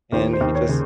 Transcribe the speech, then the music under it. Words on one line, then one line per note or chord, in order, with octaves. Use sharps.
and he just
D#2 C5
C5
D#2
C#5
C#3